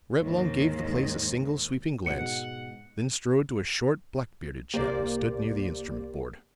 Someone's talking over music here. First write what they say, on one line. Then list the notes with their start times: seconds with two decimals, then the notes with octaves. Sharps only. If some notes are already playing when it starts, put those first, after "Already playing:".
Reblong gave the place a single sweeping glance, then strode to a short, black-bearded chap who stood near the instrument board.
0.20 D#2 G#2
2.06 G#2 B2 F#5 C#7
4.74 C2 A#3 G4 C5 D5